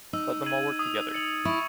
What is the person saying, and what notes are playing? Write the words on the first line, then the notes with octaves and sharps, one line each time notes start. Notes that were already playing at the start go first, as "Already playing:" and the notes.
Let them all work together.
D#4 E6
G#6 D#7 F#7
D#6
A6 C#7 F#7
E4 C#6